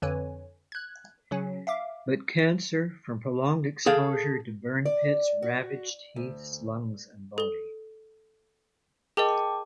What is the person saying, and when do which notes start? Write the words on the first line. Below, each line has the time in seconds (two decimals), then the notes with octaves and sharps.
But cancer from prolonged exposure to burn pits ravaged Heath’s lungs and body.
0.02 F2 D3 B4 C#5 G#5
0.72 F#6 G#6
1.31 C#3 F#3 C#4
1.67 E5 F5 D6
3.86 G#4 A4 F5
4.85 D5
5.42 F#4
6.16 D2
7.38 A4 G7
9.17 G#4 A#4 D#5 G5 A5 D6